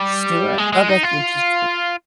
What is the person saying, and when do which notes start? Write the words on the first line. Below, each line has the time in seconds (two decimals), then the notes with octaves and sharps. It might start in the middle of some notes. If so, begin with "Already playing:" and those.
Sure, oh, that's interesting.
Already playing: G3
0.58 G#3
0.73 G#3
0.89 D#4
1.03 F4